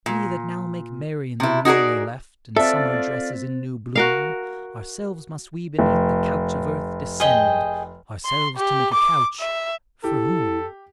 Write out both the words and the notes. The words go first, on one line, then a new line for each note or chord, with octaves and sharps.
And we, that now make merry in the Room They left, and Summer dresses in new Bloom, Ourselves must we beneath the Couch of Earth Descend, ourselves to make a Couch--for whom?
A#2
C3 E4
D#4 F#4 G#4 A#4 D5
C4 F4 A4 C5 D5 E5 A6
F#4 A#4 F5
F1
G#4 D#5 G5
C6
G4
D6
E5
E4 G4 A4